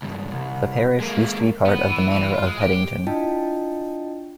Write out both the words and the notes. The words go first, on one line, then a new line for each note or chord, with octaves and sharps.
The parish used to be part of the manor of Headington.
C#2 G2
C2
G#3 A#3
B3
E3
E3
F4
G#3
G4
D4 E4 F4 D#5 G5 A5